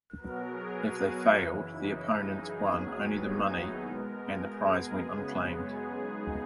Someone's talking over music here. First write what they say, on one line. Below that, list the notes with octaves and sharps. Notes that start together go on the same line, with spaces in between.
If they failed, the opponents won only the money and the prize went unclaimed.
B2 F#3 B3 A#4
G#4
F#4
F#2 C#3 E3 E4
D#4
G#4
D#2 D#3 F#3 B3
D#4
E4
B2 G#3 B3 A#4
G#4
F#2 C#3 G#3 B3
G#4
D#4